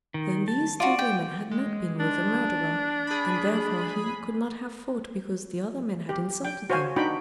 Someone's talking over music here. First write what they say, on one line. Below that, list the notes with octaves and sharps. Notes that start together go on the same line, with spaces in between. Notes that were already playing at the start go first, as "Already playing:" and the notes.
Then these two women had not been with the murderer, and therefore he could not have fought because the other men had insulted them.
D#3
A5
F4 F#4 D5
G5
G#3
D4
G#4 B5
G4
G5
F#4 C5 C#5 F5 G#5
D4 D#4 F#4 G5 B5